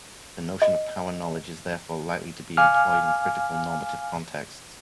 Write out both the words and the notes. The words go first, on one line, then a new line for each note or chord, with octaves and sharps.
The notion of power-knowledge is therefore likely to be employed in critical, normative contexts.
D#5
F5 G#5 D6 F6